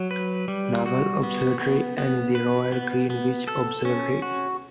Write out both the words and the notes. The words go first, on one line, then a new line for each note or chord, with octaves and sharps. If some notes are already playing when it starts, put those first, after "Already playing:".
Naval Observatory and the Royal Greenwich Observatory.
Already playing: F#3
B4
G3
F#4
B3
B3
B3
B4
B3
B3
A4
C#4
F#4